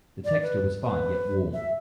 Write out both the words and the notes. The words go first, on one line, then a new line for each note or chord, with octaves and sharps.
The texture was fine yet warm.
D5
B4
B4
E5